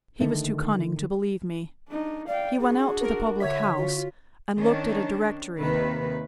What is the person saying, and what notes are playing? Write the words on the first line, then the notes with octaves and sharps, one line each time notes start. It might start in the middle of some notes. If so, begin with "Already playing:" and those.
He was too cunning to believe me; he went out to the public-house and looked at a directory.
D3 D#3 A3
D4 D#4
D5 F5 G5
D4 F#4 G#4
A#4
D3 C#5 E5 B6
F4 F#4
D#3 C#4 D4
D#2 C3 D#3 B4